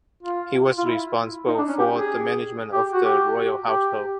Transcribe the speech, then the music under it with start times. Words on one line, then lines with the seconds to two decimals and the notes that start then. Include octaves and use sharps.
He was responsible for the management of the royal household.
0.23 F4
0.78 F4
0.85 E4
1.48 D#4
1.58 D4
1.68 C#4
1.79 G4
1.94 G#4
2.72 G4
2.93 F#4
3.04 G4
3.67 G4